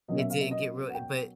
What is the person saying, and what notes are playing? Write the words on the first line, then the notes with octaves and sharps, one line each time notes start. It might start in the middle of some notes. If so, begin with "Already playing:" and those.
It didn't get real but
B2 F#3 A#3 C#4 D#5
E5
F5
E5
D#5
F#5
G5